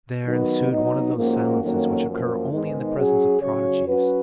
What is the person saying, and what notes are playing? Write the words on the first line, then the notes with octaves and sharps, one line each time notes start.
There ensued one of those silences which occur only in the presence of prodigies.
D#3 F#3 B3 D#4
F#3 B3 D#4
G#2 F3 A#3 C#4 F#4
F2 D#3 F#3 A#3 C#4
F#2 F3 A#3
G#2 D#3 G#3 B3 D#4
F#3 C#4 G#4
C#3 F#3 C#4 F#4 C#5
F#3 C#4 F#4 B4